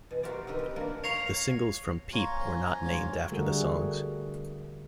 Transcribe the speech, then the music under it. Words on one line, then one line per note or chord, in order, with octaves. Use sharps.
The singles from "Peep" were not named after the songs.
B2 E3
F#4 G4 A#4 C5 D5
C4 D#4 G4 A#4 B4
B4
E3 A#3 D4 F#4 A#4 A5
C#5 F5 A#5
F4 C#5 G#5 A#5
F2 F3 C6
D2 F#3 F4
D3 G3 A3 F#4 G#4 A#4